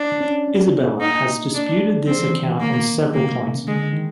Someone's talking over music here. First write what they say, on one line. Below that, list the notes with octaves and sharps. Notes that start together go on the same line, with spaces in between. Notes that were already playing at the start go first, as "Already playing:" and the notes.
Isabella has disputed this account on several points.
Already playing: D4
C#4
C#4
C4
B3
A#3
D#4
D4
F3 C4
E3
D#3
E3
D#3 A#3
D#3
D3 A#3
C#3
C3
C#3
D3 G#3
D#3